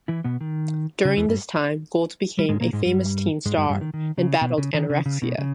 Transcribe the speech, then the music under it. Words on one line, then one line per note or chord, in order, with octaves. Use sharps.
During this time, Gold became a famous teen star and battled anorexia.
E3 E4
B2 B3
D#3
C#3
E2 E3
G2 G3
G3
G#2 G#3
A#2 A#3
G#2 G#3
G2 G3
G#2 G#3
G2 G3
G2 G3
D#3
D#3
C#3
B2
C#3
D#3
C#3
C#3
B2
C#3